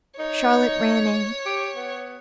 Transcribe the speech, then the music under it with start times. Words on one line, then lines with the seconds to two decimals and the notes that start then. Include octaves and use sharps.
Charlotte ran in.
0.19 D#4 C#5
1.46 G4
1.76 B3